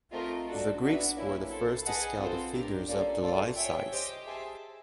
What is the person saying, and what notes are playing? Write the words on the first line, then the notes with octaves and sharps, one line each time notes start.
The Greeks were the first to scale the figures up to life size.
A3 C4 F4 A#4 D#5
D4 F#4 A4
B3 D4 F#4 B4 E5
A#3 C#4 E4
E4 A4 C5
G#4 B4 D#5 F#5 A5
C4 F4 A4 C5
D4 G4 A#4
A#3 C#4 F4 A4 D5
F4 A4 D5
G#4 C#5 E5 G5
G4 C5 D#5 G5
G#4 C5 E5 A5